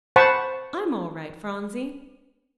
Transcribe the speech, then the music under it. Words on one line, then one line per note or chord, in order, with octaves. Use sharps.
I'm all right, Phronsie.
C5 F#5 A5 B5 C#6